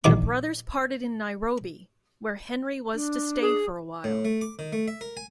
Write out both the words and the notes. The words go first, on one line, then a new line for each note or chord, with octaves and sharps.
The brothers parted in Nairobi, where Henry was to stay for a while.
A#1 D#3 D6
D4
G#4
A2
A3
D6
D#3
A3
E5
A#4
G#5